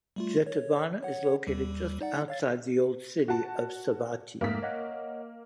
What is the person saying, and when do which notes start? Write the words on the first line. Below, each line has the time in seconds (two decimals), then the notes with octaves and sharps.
Jetavana is located just outside the old city of Savatthi.
0.16 G3 A3 F4
0.46 C#5
1.03 C#5 F#5
1.47 D#2 G3
2.01 D#4 D5 F#5
2.28 C#5 F5 A6
3.28 F#4 A5
4.41 F2 G#2 A3 A#3 B6
4.62 C#5 D#5 F#5